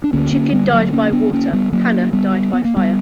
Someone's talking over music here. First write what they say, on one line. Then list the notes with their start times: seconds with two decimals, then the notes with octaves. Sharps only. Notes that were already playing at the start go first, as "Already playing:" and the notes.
Chicken died by water, Hannah died by fire.
0.04 D4
0.13 D2 D3 A#3 C#4
0.32 A#3 C#4
0.52 G3 B3
0.67 B3
0.73 F#3 A#3
0.93 A#3 C#4
1.13 B3 D4
1.33 A#3 C#4
1.53 G3 B3
1.73 F#3 A#3
2.13 G3 B3
2.53 B3
2.65 A#3
2.77 G3 B3